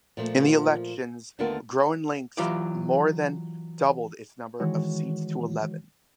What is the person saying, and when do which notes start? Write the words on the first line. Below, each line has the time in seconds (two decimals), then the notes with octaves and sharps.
In the elections, GroenLinks more than doubled its number of seats to eleven.
0.17 A#2 F3 A3
1.39 D#2 D3 A3 B3 F4 A#4
2.37 E3 F#3 F4 G4 D5
4.60 D#3 E3 G#3 F#4 C#5